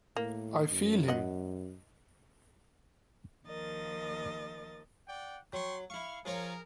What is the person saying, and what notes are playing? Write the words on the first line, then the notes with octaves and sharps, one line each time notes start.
I feel him!
A2 A#3
F#2
D#5 F#5
D#2 F3 A#4 D#5 A6
D5 F#5 G5
F#3 G5 C6 C#6
E4 F5 C#6
F3 F4 G#4 A#4 C#5